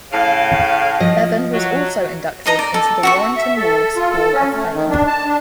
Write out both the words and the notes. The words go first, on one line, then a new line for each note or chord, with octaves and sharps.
Bevan was also inducted into the Warrington Wolves Hall of Fame.
A2 C#3 F5
F3 D#5
F#3
D#4 D#5 A#5 D#6
D5
A4
F#4 E5 C#6
E5
A4
F4
A4
C#4
A3
D#3
D4
A5
D4